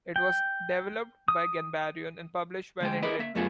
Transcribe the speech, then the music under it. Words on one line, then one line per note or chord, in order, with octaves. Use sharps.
It was developed by Ganbarion and published by Nintendo.
G5
D#6
D2 G#3 G5
E4 G4 G#4 A#4 B4 D#5
A#3 E5
F#2 G3 A3 B3 F4 G#4